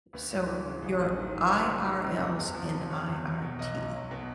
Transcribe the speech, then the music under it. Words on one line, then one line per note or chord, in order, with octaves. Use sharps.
So, your IRLs in IRT.
D2 B4
D2
E3
C#3
A1
A1
D#3
G#2
C#2 C5
F#3
D#3
C3
E2
E2
F3
C3
E2 C#5
E2
F#3
B2
B1 D#5
B1
F#3
B2